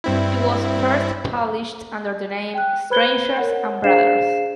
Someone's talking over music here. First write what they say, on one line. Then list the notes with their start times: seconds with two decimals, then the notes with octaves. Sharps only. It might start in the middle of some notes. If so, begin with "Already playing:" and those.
It was first published under the name "Strangers and Brothers".
0.04 G2 C4 E4
2.54 G5 F#6
2.90 B4 C5 B5 F#6 G#6 G7
3.37 A#4 C#5 F#5
3.84 D4 G#4 C5 F5 C7 E7